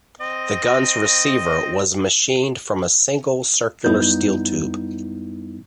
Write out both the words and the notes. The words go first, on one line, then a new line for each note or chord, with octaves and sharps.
The gun's receiver was machined from a single circular steel tube.
C4 D#5
F#2 G3 B3 D#4 E4 G6